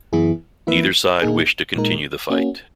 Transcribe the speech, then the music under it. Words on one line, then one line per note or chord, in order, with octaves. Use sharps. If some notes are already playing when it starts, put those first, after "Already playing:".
Neither side wished to continue the fight.
F#2 E3 B3 E4 G#4
E3 A#3 E4 B4 E5
A#2 A#3 D#4 G#4
A#2 G#3 D#4 A#4
A#3 C#4 F#4